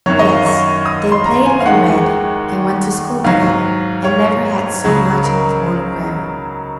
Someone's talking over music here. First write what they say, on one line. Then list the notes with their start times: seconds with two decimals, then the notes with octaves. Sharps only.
Yes, they played and read and went to school together, and never had so much as one quarrel.
0.06 F#2 D#3 F#3 C#5
0.19 D#5
0.33 F5
0.46 C#6
0.86 D#6
1.12 C6
1.26 A#5
1.45 G#5
1.60 F5
1.66 D#2 D#3 G#3 F#5
3.24 G#2 F#3 F5
4.04 C#5
4.84 C#2 C#3 F#3
5.24 A#4